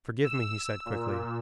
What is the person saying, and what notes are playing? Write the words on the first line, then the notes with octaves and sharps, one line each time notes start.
"Forgive me," he said quickly.
E6
A#2